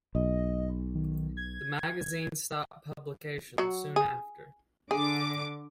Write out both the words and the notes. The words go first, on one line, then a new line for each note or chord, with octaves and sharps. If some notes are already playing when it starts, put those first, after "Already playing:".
The magazine stopped publication soon after.
B1 D#5
D#3
G#6
F#3 F#4
G#4
D3 G#4 D6